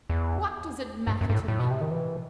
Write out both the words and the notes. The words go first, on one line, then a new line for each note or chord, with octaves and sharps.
"What does it matter to me?"
E2
G2
F#2
G2
A2
A2
B2
C3
D#3
E3